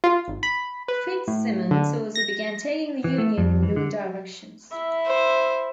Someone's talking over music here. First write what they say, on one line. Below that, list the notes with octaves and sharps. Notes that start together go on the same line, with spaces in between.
Fitzsimmons also began taking the union in new directions.
F4
G#1
B5
B4
A2
D3
A#6
E3
A3
F2
E3
D3
E4 E5
C5